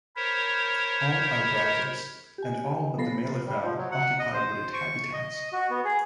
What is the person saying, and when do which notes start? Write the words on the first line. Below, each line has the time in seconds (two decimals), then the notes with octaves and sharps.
All are browsers, and all but the malleefowl occupy wooded habitats.
0.16 A#4 C5 C#5 B5
2.38 G4 G#5
2.98 F3 B3 A4 B5 A#6 C7
3.46 G3
3.62 F3
3.77 F#3
3.92 F#5
4.19 D#5
4.33 C5
4.74 C#6
5.13 D#5
5.53 F#4
5.70 B3
5.85 G#4